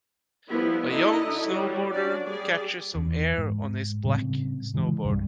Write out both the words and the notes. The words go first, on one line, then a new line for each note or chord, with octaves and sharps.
A young snowboarder catches some air on his black snowboard.
F3 G3 B3 E4
D3 D#4 E4 F#4 A4 D#5
F#3 G3
C#4 D4 F#4 D5
G3 G#4 D5
E2
G#2
A2 C#3 G3 C4
C#3 E3 G3 G#3
C2 G2 F3 G3